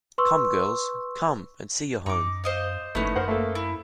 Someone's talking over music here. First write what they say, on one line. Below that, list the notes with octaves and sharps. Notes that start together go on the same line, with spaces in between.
Come, girls, come and see your home!
B4 C6 C#6 E6
F#2 D#4 D6
C5 D#5 F5
G1 A2 D#3 A3 B3 C#4
F#2 A#4 C5 F#5
A3 A#3 A4
E4